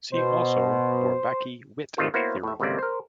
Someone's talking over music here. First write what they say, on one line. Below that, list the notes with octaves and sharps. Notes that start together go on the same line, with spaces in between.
See also Bourbaki-Witt theorem.
B2 C5
G#1 C3 D#3 A3 F4 A4
A#3 B3 E4 F#4 C5 C#5
A2 E5
G#1 C#2 C3 A3 A#3 D5
A#4 C5